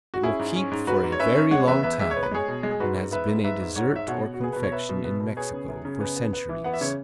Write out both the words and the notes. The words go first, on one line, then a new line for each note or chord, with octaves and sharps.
It will keep for a very long time and has been a dessert or confection in Mexico for centuries.
F#4
C#4 E4 G#4
G#2
C#4
G#2
G#2 F#4 B4
G#2
C#5
C#4 B4 E5
C#4
G#3 C#5 F#5
E2 B4 E5
E2 B4 E5
G#3 E5
C#5
B3
B4
G#3 G#4 C#5
B2
G#3
G#4
G#2 F#4 B4
G#2
B3 B4 E5
G#2
G#2 B4 E5
G#2
G#2 C#5 F#5
G#2 E5
B2 C#5 F#5
B2
F#4
B3 G#4
B2 B4
C#5
B3 B4 E5
B2
B3
B2
B3 G#4 C#5
C#3
F#2
C#3
B3
B3
B3
E3
B3 F#5
E5
C#3 C#5